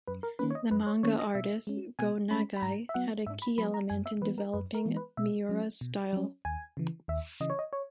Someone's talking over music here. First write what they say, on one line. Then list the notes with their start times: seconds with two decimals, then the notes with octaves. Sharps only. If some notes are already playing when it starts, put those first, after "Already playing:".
The manga artist Go Nagai had a key element in developing Miura's style.
0.07 F#2 B4
0.23 A#4
0.39 D#3 A#3 C#4 B4
0.51 C#5
0.55 D#5
0.71 F#2 B4
0.87 C#5
1.03 D#3 A#3 C#4 C#5
1.19 D#5
1.35 B2 E5
1.67 G#3 C#4
1.99 B2 G#5
2.31 G#3 C#4 B5
2.57 B5
2.62 G#2 A#5
2.89 E5
2.94 F#3 B3 F#5
3.26 G#2 E5
3.42 B5
3.58 F#3 B3 B5
3.74 A#5
3.90 F#2 G#5
4.06 E5
4.21 E3 G#3 B3 B4
4.38 A#4
4.54 F#2 B4
4.75 A#4
4.86 E3 G#3 B3
4.97 B4
5.17 B2 E5
5.49 F#3 C#4
5.81 B2
6.13 F#3 C#4
6.45 D#2 G#5
6.77 C#3 E3
7.08 D#2 E5
7.40 C#3 E3 D#5
7.50 C#5
7.59 D#5
7.73 C#5